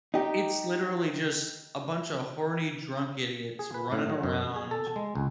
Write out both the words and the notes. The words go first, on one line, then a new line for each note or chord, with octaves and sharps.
It's literally just a bunch of horny, drunk idiots running around,
D#4 G4
G#4
B4
A2
F#3
F#2
G#4
A4
G#3
C#2